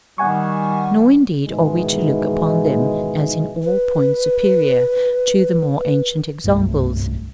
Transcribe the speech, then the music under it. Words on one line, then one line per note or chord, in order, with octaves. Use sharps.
Nor indeed are we to look upon them as in all points superior to the more ancient examples.
D#3 G3 F#5 G#5 C#6
G#2 B2 D#3 E3 G#3
B4
B4
F#1 C2 G2 A3